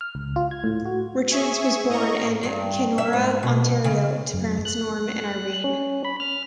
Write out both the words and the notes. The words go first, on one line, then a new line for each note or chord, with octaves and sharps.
Richards was born in Kenora, Ontario, to parents Norm and Irene.
F6
C#2
F4
G#6
A2
F#4
G#4 E5 G#5 C#6
A2 D#5 A#5 C#6
G2
E5
G#2
B2
C#3
F#2
F#6
C#4
B5
F6